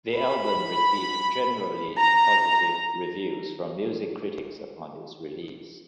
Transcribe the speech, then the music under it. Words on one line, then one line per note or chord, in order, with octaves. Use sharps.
The album received generally positive reviews from music critics upon its release.
B5
A#5